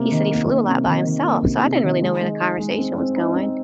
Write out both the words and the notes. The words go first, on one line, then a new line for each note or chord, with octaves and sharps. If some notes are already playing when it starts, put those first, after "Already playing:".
he said he flew a lot by himself, so I didn't really know where the conversation was going
Already playing: C3 A#3
D#3
A#3
A#3
C3
D#3
D#3
A#3
C3
C3
D#3
G#3
G#3
D#4
G#3
C4
C4
D#4
C4